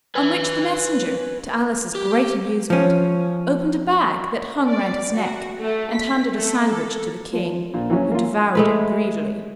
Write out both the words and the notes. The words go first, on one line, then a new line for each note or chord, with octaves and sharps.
On which the Messenger, to Alice's great amusement, opened a bag that hung round his neck, and handed a sandwich to the King, who devoured it greedily.
B4 G#5
G4
F3 C#4
D5
F#4
A3
B6
A3
A4
F3
A#1 A#2
E3 F#3 C#4
A#3 F4
G#3 A3 B4